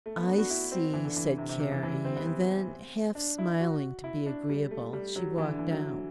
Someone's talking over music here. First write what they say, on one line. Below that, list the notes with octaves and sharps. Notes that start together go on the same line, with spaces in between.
"I see," said Carrie, and then, half-smiling to be agreeable, she walked out.
A3
B3
D4
F#4
E4
C4
E3
D3
E3
C3
C3
C3
E3
E3
G3
C4
B3
C4
D4
E4
F#4
E4
D4
G3
A3
G3
F#3
E3
D3
E3
F#3